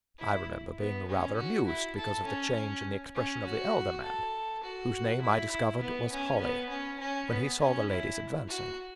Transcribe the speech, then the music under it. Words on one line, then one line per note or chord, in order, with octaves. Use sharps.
I remember being rather amused because of the change in the expression of the elder man, whose name I discovered was Holly, when he saw the ladies advancing.
E4
B3
C#4
F#4
E4
A4
C#4
C#4
C#4
F#4
A4
F#4
E4
E4
B3
C#4
B3
C#4
C#4
B3
C#4
E4
F#4